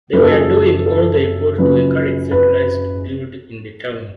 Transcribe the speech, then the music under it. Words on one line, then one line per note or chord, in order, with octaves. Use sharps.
They were doing all they could to encourage settlers to build in the town.
F#1 F#2 F3 B4
A4
G#4
A4
A4
F#1 F#2 C#3 F3 B4
B4